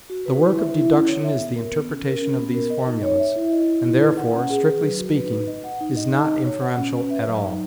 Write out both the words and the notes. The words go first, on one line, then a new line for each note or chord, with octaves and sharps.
The work of deduction is the interpretation of these formulas, and therefore, strictly speaking, is not inferential at all.
F#4
B4
E4
E5
E4
C#4
C#5
E5
B3
A#4
B3
C#4
A#4
C#4
B3
A#4
D#5
D#4
C#5
E5
E4
D#5
E4
D#4
B4
F#5
C#4
G#4
B4
F#3
F#4
B4
D#4
D#5
F#5
D#4
D#5
D#4
D#4
C#5
F#5
C#4
B4
E5
F#3
D#4